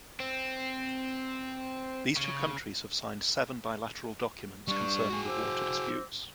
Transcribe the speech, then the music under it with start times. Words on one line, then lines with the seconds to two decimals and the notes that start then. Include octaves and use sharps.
These two countries have signed seven bilateral documents concerning the water disputes.
0.20 C4
2.17 C#3
4.68 G3 D4 C#6
5.10 F#4 G#4
5.27 C5 D6 E6